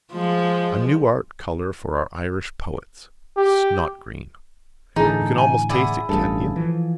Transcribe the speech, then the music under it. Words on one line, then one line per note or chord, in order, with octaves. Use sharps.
A new art colour for our Irish poets: snotgreen. You can almost taste it, can't you?
F3 G#3
G4
A2 D3 E3 D#4 G#4 A4
G#5
E4 G#4 D5 F#5
A1 G2 D#4 F4 A4
E3 F3